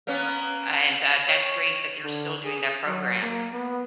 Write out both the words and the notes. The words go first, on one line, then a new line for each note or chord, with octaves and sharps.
And, uh, that's great that they're still doing that program.
A#3 B3 C#4
C#5
D3
G#4
F#3
A#3
B3